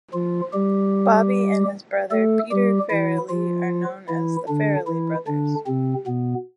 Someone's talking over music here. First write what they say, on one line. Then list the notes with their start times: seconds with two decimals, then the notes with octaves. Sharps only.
Bobby and his brother Peter Farrelly are known as The Farrelly brothers.
0.13 F3 F4
0.53 G3 G4
2.11 A3 A4
2.51 G3 G4
2.90 E3 E4
3.30 F3 F4
4.09 E3 E4
4.48 D3 D4
4.87 E3 E4
5.27 D3 D4
5.66 C3 C4
6.06 B2 B3